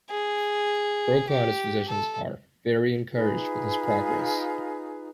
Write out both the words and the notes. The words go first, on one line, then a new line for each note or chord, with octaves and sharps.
Brokaw and his physicians are "very encouraged with his progress".
G#4
G4
A4
D#4 F4 G#4 B4